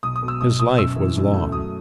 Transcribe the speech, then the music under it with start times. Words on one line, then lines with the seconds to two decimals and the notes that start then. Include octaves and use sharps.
His life was long.
0.03 B1 D#6
0.16 D#6
0.22 B2
0.28 E6
0.41 B1 D#6
0.60 B1 D#6
0.78 F#2 E6
0.96 E3
1.16 F#2
1.33 A3
1.52 F#3 D#6